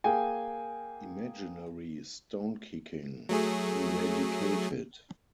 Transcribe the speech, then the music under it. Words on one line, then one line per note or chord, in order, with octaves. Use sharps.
Imaginary stone-kicking eradicated.
A#3 G#4 G5 G#5
F#3 A3 G#4